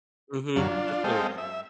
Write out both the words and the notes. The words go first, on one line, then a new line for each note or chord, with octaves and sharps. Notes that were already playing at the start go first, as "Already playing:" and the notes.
Mhm. That's really what it is.
F#2 D3 F#3 F5
D4 F4
G#3 C4 A4 D#5 F5 G5
E5